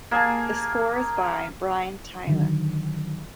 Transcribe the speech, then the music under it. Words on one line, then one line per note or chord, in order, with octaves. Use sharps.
The score is by Brian Tyler.
A#3 G#4 G#5 A5
D3 D#3 F#3